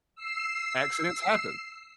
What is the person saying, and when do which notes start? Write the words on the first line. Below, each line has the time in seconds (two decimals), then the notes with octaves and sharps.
Accidents happen.
0.15 E6 C7